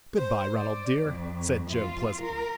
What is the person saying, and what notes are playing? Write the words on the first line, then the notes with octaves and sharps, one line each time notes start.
"Good-by, Ronald dear," said Joe pleasantly.
C5
D5
F2
F4
A#4